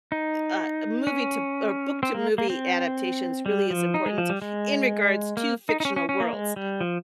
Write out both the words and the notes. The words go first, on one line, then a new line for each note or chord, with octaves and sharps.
eh, uh, a movie to or book to movie adaptations really is important in regards to fictional worlds,
D#4
C#4
C4
A#3
A#3
C4
G3
F3
D#4
G#3
F3
G3
G#3
A#3
D#4
D#4
C#4
C#4
C#4
A#3
G#3
G3
F3